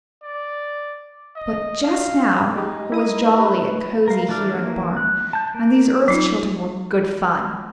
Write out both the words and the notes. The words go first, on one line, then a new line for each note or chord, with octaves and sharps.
But just now it was jolly and cozy here in the barn, and these Earth Children were good fun.
D5
D#5
F5
D#4 G4 G#4
E4 D#6 D#7
G3 A#3 B4
A#4 F5
E3 A3 D4 D6 F6
E3 A#3
F#6
A5 G6
A#3
F#3 D#4 F4